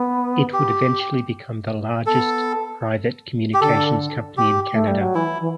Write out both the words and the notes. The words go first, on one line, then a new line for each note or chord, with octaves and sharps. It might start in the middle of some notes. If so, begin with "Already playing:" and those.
It would eventually become the largest private communications company in Canada.
Already playing: B3
G4
B3 A4
G4
D3 A4
G4
A3
G3
F#3
E3 E4
E3